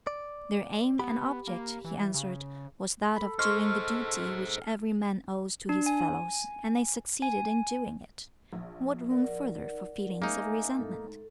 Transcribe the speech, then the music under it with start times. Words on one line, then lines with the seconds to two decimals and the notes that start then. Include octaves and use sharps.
"Their aim and object," he answered, "was that of doing the duty which every man owes to his fellows, and they succeeded in doing it;--what room further for feelings of resentment?"
0.07 D5
0.99 B3 G4 B5
1.47 A#3
1.85 E3
2.14 C#3
3.17 A4 B5
3.39 G#4 C5 D#5 C6 C#6 F6
5.69 D4
5.86 G#5
7.22 G#5
8.53 A#1
9.10 A#4 D5 F#5
9.47 D#3
10.22 G#3 A#3 C#4 D#4 E5 G#5
10.78 G#2 A3 A4